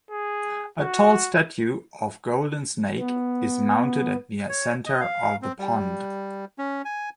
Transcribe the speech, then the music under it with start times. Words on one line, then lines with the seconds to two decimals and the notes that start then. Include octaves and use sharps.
A tall statue of golden snake is mounted at the center of the pond.
0.11 G#4
0.78 F#4
2.99 B3
4.49 C#5
4.86 D#5
5.01 F5
5.42 C4
5.59 G3
6.58 C#4
6.85 G#5